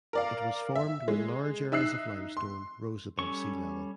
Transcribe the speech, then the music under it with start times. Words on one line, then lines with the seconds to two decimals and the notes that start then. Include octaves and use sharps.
It was formed when large areas of limestone rose above sea level.
0.13 A#4 D5 F5
0.75 E5
1.08 G#3
1.72 D#4 E5 E6 F#6 C7
2.37 C6
3.19 G3 C#4 A4 C#6